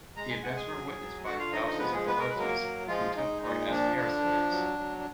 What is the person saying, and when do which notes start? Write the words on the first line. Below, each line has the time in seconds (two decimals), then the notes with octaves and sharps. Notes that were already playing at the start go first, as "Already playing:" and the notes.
The events were witnessed by thousands of devotees who took part as "Karasevaks".
0.17 G#3 A#5
0.30 G#5
0.43 G#3 F#5
0.56 G#4 G#5
0.71 F#3
0.98 F#3
1.25 D3 F#4 F#5
1.39 F4 F5
1.53 F3 D#4 D#5
1.66 D#4 D#5
1.79 G#3 B3 B4
1.93 G#3 G#4
2.06 G#3 B3 B4
2.20 A#4
2.30 B4
2.34 F#3 A#3 A#4
2.61 F#3
2.88 F3 G#3 F4
3.16 G#3 D#4
3.42 A#2 D#4
3.70 F3 D4
3.97 D3 D4
4.24 F3
4.51 F#3
4.79 F#3
4.98 D4